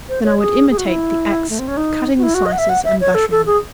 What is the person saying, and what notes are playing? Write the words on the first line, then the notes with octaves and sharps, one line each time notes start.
Then I would imitate the acts of cutting the slices and buttering them.
C5
C#5
G#4
G#4
F#4
E4
A3
C4
C#4
D#4
F#4
E4
F#4
D#5
F#5
E5
F#5
E5
C#5
A4
A4
G#4